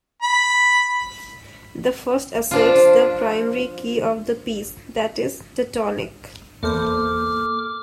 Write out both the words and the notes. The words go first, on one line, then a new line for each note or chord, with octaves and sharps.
The first asserts the primary key of the piece, that is, the tonic.
B5
F3 D4 F4
E2 A#3 A4 C5 D6 F6